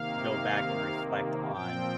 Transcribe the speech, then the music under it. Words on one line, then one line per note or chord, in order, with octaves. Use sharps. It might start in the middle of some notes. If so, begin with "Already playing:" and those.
go back and reflect on,
Already playing: C3 D#3 A#3 F5
A#2 F3 C4 G5